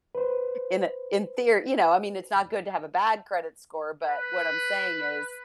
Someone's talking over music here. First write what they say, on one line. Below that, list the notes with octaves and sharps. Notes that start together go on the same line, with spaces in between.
in in theor you know, I mean, it's not good to have a bad credit score, but what I'm saying is,
B4 C5
B4